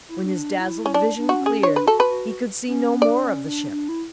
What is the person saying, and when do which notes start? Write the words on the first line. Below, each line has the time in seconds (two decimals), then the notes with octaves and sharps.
When his dazzled vision cleared, he could see no more of the ship.
0.08 E4
0.25 D4
0.60 E4
0.86 C#4
0.94 D4
1.18 D4
1.29 F#4
1.40 C#4
1.46 G#4
1.63 D4 C#5
1.76 B4
1.87 F#4 A4
2.00 B4
2.10 F#4
2.68 C#4
3.02 D4 D5
3.25 C#4
3.48 D4
3.71 D4
3.89 E4